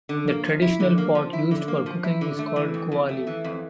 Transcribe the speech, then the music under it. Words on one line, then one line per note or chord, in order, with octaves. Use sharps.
The traditional pot used for cooking is called "kuali".
D3
A#3
F3
E4
D3
A#3
F3
E4
D3
A#3
F3
E4
D3
A3
E3
F2
F2
A3
E3
F2